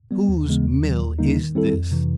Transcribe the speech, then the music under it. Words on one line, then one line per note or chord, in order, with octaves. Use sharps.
"Whose mill is this?"
G3 B3
D#2
C#3 E3 G#3 B3
D#2
D#3 F#3
D#2
D3 G3 A#3 D#4
D#3
G3 C4 E4 A4
F2
C3 E3